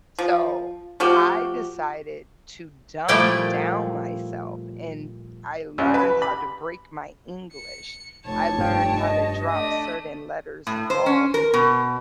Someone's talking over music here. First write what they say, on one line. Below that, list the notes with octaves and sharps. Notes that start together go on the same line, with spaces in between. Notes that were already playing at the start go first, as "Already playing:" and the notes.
So, I decided to dumb down myself and I learned how to break my English. I learned how to drop certain letters off
F3
F3 A3 F#4 G4
A#2 F3 G3 A3 E4 G5
C#2
B4
B5
C#7
F1 C#5 A5
G2 G5
D#5
A3 D4 D#6
A2
C5
C#4
A#4
B2